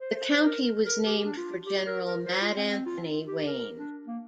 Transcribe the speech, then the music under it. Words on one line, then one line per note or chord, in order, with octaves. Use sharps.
The county was named for General "Mad Anthony" Wayne.
C5
C5
C5
A#4
A#4
G4
D4
F4
G4
A#4
A#4
C5
F4
C4
C4
F4
G4
A#4
D4
A#3